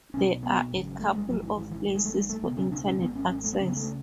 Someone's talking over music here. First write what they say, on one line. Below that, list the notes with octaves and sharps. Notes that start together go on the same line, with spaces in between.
There are a couple of places for internet access.
B1 B2 C#4
B3
G#1 F#2 C#3
A3
G#3
G#1 G#2 F#3
E3
E3
E3
G#1 G#2
G#3
A3
G#3
A3
C#2 B2 B3
C#4
D4
C#4
G#1 G#2 B3
C#4
C#4
A3
B3
C#2 C#3 C#4
B3
A3